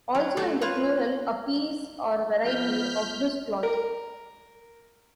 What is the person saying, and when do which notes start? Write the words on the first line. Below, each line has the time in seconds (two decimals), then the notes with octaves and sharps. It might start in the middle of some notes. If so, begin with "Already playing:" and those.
Also in the plural a piece or variety of this cloth.
0.15 F#3
0.37 F#3 A3 A4
0.61 F4 B4 C#5
2.44 F3 B3 F6 G6 B6
3.63 A#4